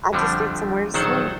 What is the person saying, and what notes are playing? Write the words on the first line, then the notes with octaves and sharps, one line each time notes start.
I just need somewhere to sleep.
F2 D3 F3 G3 A3 D4
A#1 D#3 F#3 A4 C5 F#5